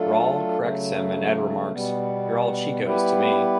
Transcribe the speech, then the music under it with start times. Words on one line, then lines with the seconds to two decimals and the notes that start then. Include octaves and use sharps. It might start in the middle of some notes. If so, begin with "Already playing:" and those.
Raul corrects him and Ed remarks, You're all Chicos to me.
Already playing: F#3 A3 D4 F4 A4
0.59 C#3 F#3 A3
1.71 B2 G3 B3
2.84 G3 B3 E4 G4 B4